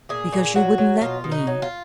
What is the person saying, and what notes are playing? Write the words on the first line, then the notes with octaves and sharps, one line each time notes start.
"Because she wouldn't let me."
A#2 G#4
A#2
F#3 F#4
F#3
B2 F4
B2
D#4
F#3
F4